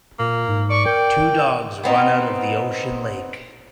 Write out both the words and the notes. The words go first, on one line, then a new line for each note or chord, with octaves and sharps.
Two dogs run out of the ocean lake.
A#2 A#3
G#2
D5 C#6
A#4 G5
B3 C4 D#4